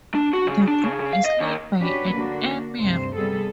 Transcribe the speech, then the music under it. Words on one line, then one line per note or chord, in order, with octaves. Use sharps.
The group is led by an "Emir".
D4
F#4
C#3
D4
C#3
C#3
F5
D#5
D#2
C#4 D4 F#4 G4 B4
D3 A#3 D4 F#4
D2 G2 C3 C5
C3 G3 B3 G#4 A4